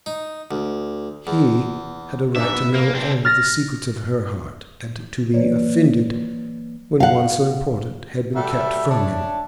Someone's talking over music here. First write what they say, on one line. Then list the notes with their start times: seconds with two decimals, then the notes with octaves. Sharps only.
He had a right to know all the secrets of her heart, and to be offended when one so important had been kept from him.
0.06 D#4
0.51 D2
1.27 E2
2.36 G#2 D4 E5
2.53 B3
2.75 A#3
2.95 C4 D4
3.25 F6 A6 A#6
5.33 E3 F#3 A#3 B4 C#5 D5
7.00 F5 F#5
8.34 G3 F#4 A4 E5
8.90 D4 C#5 E5 A5